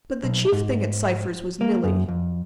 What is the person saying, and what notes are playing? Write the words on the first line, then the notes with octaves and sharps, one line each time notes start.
But the chief thing at Cypher's was Milly.
B1
G#2
A#3
F#2
F2